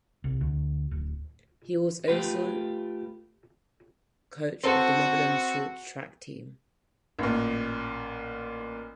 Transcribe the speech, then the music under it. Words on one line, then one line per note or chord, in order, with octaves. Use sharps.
He was also coach of the Netherlands short track team.
C2
D2
D1
A3 F4 G4 B4
C4 F#4 A4 C5
A1 A#2